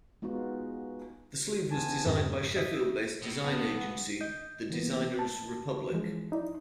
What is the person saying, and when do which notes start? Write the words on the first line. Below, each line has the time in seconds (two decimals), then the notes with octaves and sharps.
The sleeve was designed by Sheffield-based design agency The Designers Republic.
0.22 G#3 B3 D#4 F4 F#4
1.71 E2 G#5 A5
2.05 F2 G#2 C3
2.22 F#2
2.56 D#5 E5
3.22 C#2 B2
3.44 B1 B3 F#5
4.21 D#5 G6
4.70 E3 A#3 B3
5.19 A5
5.92 E3 F3 G#3
6.32 D#4 E4 D5